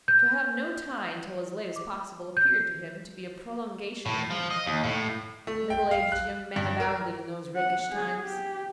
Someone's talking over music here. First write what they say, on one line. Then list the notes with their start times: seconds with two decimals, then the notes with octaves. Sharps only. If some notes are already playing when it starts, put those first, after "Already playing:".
To have no tie until as late as possible appeared to him to be a prolongation of youth. Middle-aged young men abounded in those rakish times.
0.08 G6
1.76 D6
2.37 G6
4.06 A2
4.31 F3
4.51 D#5
4.66 D#2
4.84 A2
5.47 A3
5.70 G5
5.91 F5
6.12 F#6
6.56 G2
6.80 A#4
7.56 F#5
7.92 G#4
8.25 G4